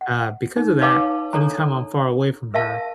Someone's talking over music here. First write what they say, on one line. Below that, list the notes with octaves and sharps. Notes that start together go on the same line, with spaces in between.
uh, because of that, any time I'm far away from her,
F#5
D#4
D#4 B4 C#5 F5 A5 D6
D4 A4 C#5 A#5
A#4 E5 F5 A5